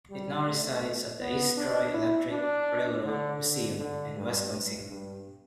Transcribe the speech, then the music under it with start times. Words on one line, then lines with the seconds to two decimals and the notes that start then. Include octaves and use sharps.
It now resides at the East Troy Electric Railroad Museum in Wisconsin.
0.10 G3
0.47 A3
1.21 B3
1.57 D4
1.94 E4
2.31 D4
3.05 D3
3.42 D3
3.78 D3
4.16 G2
4.52 G2
4.89 G2